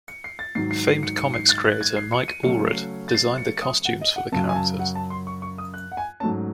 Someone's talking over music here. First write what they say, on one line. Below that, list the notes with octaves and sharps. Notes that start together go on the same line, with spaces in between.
Famed comics creator Mike Allred designed the costumes for the characters.
C#7
C7
A6
G#2 D#3 F#3 C7
C7
C7
C#7
C#7
C7
A6
F#6
G#6
C7
C#7
D#7
C#3 F#3 A3 C#4 C#7
C7
A6
C7
C#7
D#6
F#5
D#5
F#5
F#2 C#3 F#3 A5
G#5
A5
F#5
A5
C6
C#6
C#6
D#6
F#6
F#5
G#5
G#2 F#3 A3 C#4 A5